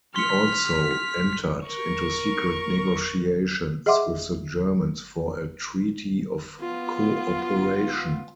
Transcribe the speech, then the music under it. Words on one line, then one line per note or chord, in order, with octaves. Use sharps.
He also entered into secret negotiations with the Germans for a treaty of cooperation.
C6 F6 B6 C#7
A#4 C#6
G#4 D#5 E5 F#5 C6 D6
B3 F4